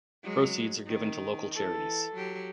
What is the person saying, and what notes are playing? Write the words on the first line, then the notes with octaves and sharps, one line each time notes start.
Proceeds are given to local charities.
F#3 G#3
D#3
E3 A4
F#3 G4